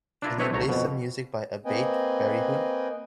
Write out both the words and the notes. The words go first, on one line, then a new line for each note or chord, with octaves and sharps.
Can you play some music by Abatte Barihun?
D4 E4 F4 A#4
A3 C4 E4 B4 C#5 D#5
C2 A3 C#5 A#5
F2 B2
A#3 C4 B4 D#5 G5 G#5